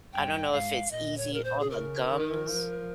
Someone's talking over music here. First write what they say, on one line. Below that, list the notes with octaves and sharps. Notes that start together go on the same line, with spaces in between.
I don't know if it's easy on the gums,
G2 G5
G#2 F5
A#2 D#5
C#5
A#4
C5
G#4
C#3 A#4
D#3
F3